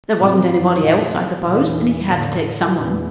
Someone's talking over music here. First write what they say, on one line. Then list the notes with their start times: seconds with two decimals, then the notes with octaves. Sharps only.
There wasn't anybody else, I suppose; and He had to take some one.
0.18 A2 C3 C4
0.49 F#2 F#3
0.82 F2 A#2 F3
1.47 E2 A#2 E3
2.12 A2 D3
2.43 D3
2.76 E2 A#2 E3